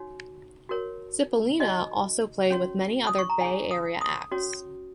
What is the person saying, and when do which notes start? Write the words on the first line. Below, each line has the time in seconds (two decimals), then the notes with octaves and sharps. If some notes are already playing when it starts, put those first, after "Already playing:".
Cippolina also played with many other Bay Area acts.
Already playing: D#4 F#4 C#5
0.69 F#4 A#4 C#5
1.60 D#4 F#4 C#5 D#5
2.50 C#4 F#4 C#5
3.07 D#6
3.19 C#6
3.30 A#5
3.41 D#4 G#4 C#5 G#5
3.71 D#6
4.01 D#6
4.31 C#4 F#4 C#5